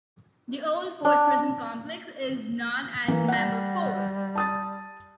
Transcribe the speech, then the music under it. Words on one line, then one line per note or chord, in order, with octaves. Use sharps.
The Old Fort Prison complex is known as Number Four.
D4
E3 A#3
G3 F#5 A#6
A5 D#6 A6